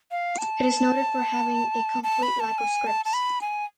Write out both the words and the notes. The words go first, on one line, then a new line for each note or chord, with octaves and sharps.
It is noted for having a complete lack of scripts.
F5
A5
A5
B5
A5
G#5
A5
A5
B5
G#5